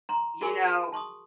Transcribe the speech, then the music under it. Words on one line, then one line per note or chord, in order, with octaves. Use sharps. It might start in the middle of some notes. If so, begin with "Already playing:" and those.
You know,
A#5 C6
F#4 G#4 A#4 G#5 C#6
A5 C6 C#6 D#6